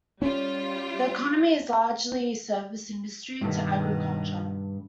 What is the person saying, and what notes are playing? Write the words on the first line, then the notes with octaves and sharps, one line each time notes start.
The economy is largely service industry to agriculture.
G3 C#4 F4
G2 B2 D#3